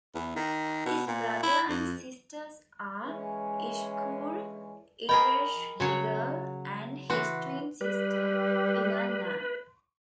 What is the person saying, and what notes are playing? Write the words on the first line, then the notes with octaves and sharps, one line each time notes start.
His brother and sisters are Ishkur, Ereshkigal, and his twin sister Inanna.
E2
D#3
B2
A#2
E4
F2
E3 G#3 C#4
G#4 A#4 D#5 G5 B5
C#3 F#3 F#4 C#5
E3 F#4 C6
G3 B4